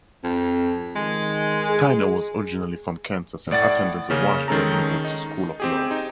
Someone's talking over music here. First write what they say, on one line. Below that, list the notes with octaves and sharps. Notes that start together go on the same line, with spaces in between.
Tyner was originally from Kansas and attended the Washburn University School of Law.
F2 C4
D#3 G#3
G#4
A2 D5 F#5 A6
C#3 A#3 C#4
D#3 G#3 C#4 A4 A#5
D#4
C4 G4 G#4
D#4